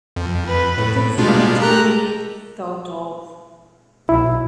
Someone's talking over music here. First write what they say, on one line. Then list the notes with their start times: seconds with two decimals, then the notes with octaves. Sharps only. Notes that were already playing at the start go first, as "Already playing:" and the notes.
It is not to be thought of.
0.16 F2
0.47 B4
0.78 A2
1.18 B2 G3 G#3 D4 F4
1.60 A3 G4 A#4 A#5 F#6
4.09 B1 E4